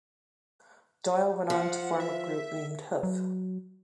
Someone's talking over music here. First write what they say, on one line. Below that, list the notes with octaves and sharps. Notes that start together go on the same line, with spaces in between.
Doyle went on to form a group named Hoof.
F3 F#5
E5
F#3